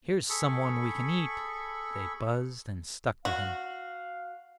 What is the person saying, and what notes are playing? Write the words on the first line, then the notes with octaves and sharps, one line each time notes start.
Here's some one we can eat!' They buzzed and stuck to him.
G#4 A4 B5 C#6
F#4 F5